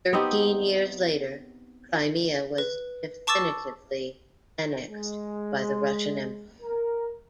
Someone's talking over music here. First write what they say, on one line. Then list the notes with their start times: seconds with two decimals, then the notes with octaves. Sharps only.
Thirteen years later, Crimea was definitively annexed by the Russian Empire.
0.13 B3 C4 D#4 G4
2.58 B4
3.27 A5 C#6 D6 E6 A6 E7
4.89 G#3
6.63 A#4